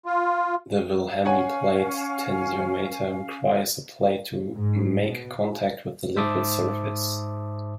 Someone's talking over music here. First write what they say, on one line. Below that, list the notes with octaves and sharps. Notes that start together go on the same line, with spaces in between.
The Wilhelmy Plate tensiometer requires a plate to make contact with the liquid surface.
F4
C#4 C#5 F5 F#5 G#5
G#2
B2
G#2 C5 E5 A5 D6 D#6